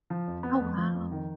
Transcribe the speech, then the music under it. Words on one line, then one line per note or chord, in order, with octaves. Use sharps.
Oh, wow.
F3
F2
B3
F2
F3
F2
D#3